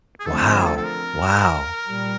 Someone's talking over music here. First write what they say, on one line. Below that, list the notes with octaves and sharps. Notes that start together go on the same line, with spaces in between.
Wow. Wow.
G#4
D3 F3 A3 C4 A4
A#4
G#4
A4
A4
A#4
A#2 G3